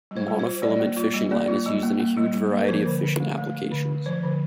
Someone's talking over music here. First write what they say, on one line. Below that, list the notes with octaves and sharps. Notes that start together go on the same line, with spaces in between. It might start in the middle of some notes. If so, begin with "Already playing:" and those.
Monofilament fishing line is used in a huge variety of fishing applications.
G3
C5
G3
C5
F4
G3 D5
A#3
F4
G3
A#3 D5
F4
G3
A#3
A#3
G3
G3
A#3
A#4
F3 C5
D3
D3
A3
A3
A3
D3
D3
F3 C5
D3